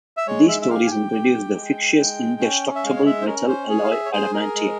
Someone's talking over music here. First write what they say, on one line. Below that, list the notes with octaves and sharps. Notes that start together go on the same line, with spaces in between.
These stories introduced the fictitious indestructible metal alloy adamantium.
E5
G#3 C#5
E5
E5
G4 F5
G#5
G5
G4
G#3
G#3
C#4
E5
G#3 F5
C#5
E5
C5
C#4 A#4
C5
G#4 C#5
F5
E5
C#5
G#4 C5
A#4
G#3